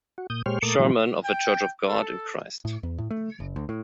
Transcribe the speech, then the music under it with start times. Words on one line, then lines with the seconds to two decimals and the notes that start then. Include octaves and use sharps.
Sherman of The Church Of God In Christ.
0.18 F#4
0.30 A#2 D#6 G6
0.46 A#2 G#3 G4 C5 C#5 F6
0.63 A#2 A3 A#4 D6 D#6 A6
0.79 A#2 D#3 F3 F#3 G#3 C4
1.23 G5
1.87 A4
2.65 A2
2.83 E2
2.98 A2
3.11 A3
3.40 F#1
3.56 D2
3.69 A2